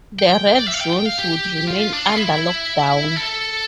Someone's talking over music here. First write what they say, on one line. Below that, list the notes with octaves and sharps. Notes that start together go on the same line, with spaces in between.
The red zones would remain under lockdown.
G5
D5
E5
F5
G5
G5
F5
G4
F4
D4
F4
E4
A4